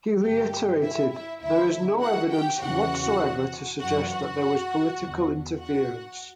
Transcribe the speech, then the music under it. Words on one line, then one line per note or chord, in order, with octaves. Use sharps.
He reiterated: There is no evidence whatsoever to suggest that there was political interference.
G2 D3 G4 G5
E4 E5
E4 E5
D2 D3 E4 E5
F#4 F#5
G4 G5
E2 C#3 E3 F#4 F#5
F#2 E3 F#4 F#5
F#4 F#5
E2 D3
F#4 F#5